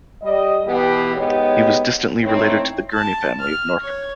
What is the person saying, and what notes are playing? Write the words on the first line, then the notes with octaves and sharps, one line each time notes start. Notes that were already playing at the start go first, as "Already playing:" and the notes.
He was distantly related to the Gurney family of Norfolk.
G3 D#5
B2 E3 B3 G4
G#2 B3 G4 C#5 D#5
D#3 A3 C4 E4 C#5
A5
F6
C#5